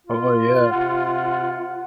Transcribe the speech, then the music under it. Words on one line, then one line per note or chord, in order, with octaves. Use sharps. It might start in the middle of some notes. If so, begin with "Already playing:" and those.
Oh, yeah.
F4
C3 F#5